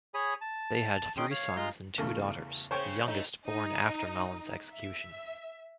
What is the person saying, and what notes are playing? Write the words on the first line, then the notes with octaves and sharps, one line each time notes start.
They had three sons and two daughters, the youngest born after Mallin's execution.
G#4 C#5 B5 D#6
A5
D#3 C#4 G#4 G5 C6 G6
C#5 F5
G#3 F4 A#5 C6 G6
E2 C#3 A3
C#3 C#4 C5 C#5 G5
A3 D#4
D#4
E5